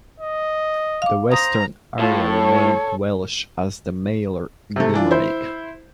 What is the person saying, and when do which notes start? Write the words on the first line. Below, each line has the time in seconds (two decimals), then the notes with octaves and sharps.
The western area remained Welsh as the Maelor Gymraeg.
0.20 D#5
1.02 F5 D6
1.32 C5 A#5 D#6
1.99 A2 F4 A4 A5
2.28 A4 C#5
4.76 C3 A3
4.94 E3 D4 F4
5.11 E4 C5